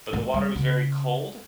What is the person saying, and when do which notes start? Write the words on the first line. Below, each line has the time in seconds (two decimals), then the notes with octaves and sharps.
but the water was very cold,
0.13 A3
0.34 G3
0.56 C#3